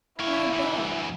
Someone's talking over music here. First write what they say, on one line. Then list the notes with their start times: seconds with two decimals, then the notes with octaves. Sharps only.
And I bear it!
0.20 A#3 E4 C#5
0.53 D2 E3